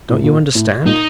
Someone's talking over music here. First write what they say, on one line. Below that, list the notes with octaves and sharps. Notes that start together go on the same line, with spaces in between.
Don't you understand?
A2
A#2
A2
A#2 D#4